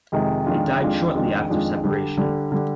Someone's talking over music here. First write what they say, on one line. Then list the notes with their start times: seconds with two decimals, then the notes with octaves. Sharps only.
They died shortly after separation.
0.12 F2 C3 D#3 G#3
0.46 F2 D#3 G#3 D4 F4
0.81 F2 D#3 G#3 D4 F4
1.14 F2 D#3 G#3 D4 F4
1.50 F2 D#3 G#3 D4 F4
1.84 D3 G3 D4
2.17 D3 G3 D4
2.52 D3 G3 D4